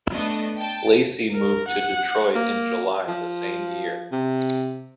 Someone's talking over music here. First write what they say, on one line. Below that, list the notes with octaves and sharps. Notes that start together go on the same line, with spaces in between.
Lacy moved to Detroit in July the same year.
A3 B3 D4 D#5
G5 A5
A#4
F#5
A#3
F3
C3